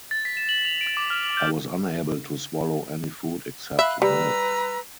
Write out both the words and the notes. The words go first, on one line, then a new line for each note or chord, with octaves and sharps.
I was unable to swallow any food except milk.
A6
B6
E7
F#7
F7
D7
D6
F6
F#7
G6
E5 F5 B5 F#6
G3 B4 A#5 E6